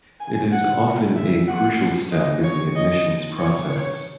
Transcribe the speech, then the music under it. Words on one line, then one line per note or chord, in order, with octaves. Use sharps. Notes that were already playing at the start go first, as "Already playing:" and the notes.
It is often a crucial step in the admissions process.
G#5
F#5
E5
F#5
D#5
C#5
D#5
C#5
C#5